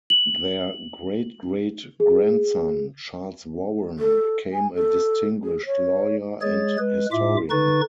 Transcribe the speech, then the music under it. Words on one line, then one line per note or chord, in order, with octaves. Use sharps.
Their great-great grandson, Charles Warren became a distinguished lawyer and historian.
F#7
G#4
A4
G#5
A4
G#4
C#5
G#3 G#4 C#5 A6
G#3 B4
A2 F4 E5 D6
D3 D#4 B4 C#6 A6